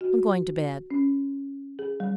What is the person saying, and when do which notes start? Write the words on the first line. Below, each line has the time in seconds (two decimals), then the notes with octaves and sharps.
I'm going to bed.'
0.01 F#4
0.90 C#4
1.79 G#4
2.00 G3